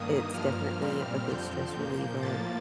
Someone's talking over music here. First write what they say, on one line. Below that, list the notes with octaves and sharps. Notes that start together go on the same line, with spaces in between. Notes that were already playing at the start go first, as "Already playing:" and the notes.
it's definitely a good stress reliever,
Already playing: G2 D#3 A#3 D#6
G2 F3 A#3 F6
A#2 G3 C4
F2 D3 F3 C4 G6
A#2 F3 A#3
A2 F3 A#3 A6